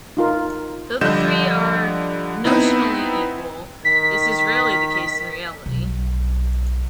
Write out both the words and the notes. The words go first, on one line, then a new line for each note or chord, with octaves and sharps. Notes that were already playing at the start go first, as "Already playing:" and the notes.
Though the three are notionally equal, this is rarely the case in reality.
D#4 F4 A#4
D3 F3 G3 D#5 G6 E7
B3 C4 D#4 E4
D#3 B6
B1